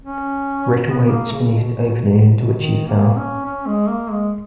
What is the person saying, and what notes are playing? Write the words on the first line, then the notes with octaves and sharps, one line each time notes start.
Rick awakes beneath the opening into which he fell.
C#4
B3
A#3
C#3
B2
B2
B2
D#3
A#3
C#4
C#4
G#3
A#3
G#3